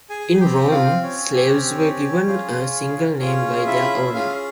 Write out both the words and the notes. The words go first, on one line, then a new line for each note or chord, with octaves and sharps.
In Rome slaves were given a single name by their owner.
G#4 G#5
C4 G4 G5
F4 F5
C#4 C#5
C4 G4
C#4 F4 G#4
C#4 F4 G#4 C#5
E4 E5
C#4 F4 G#4 F5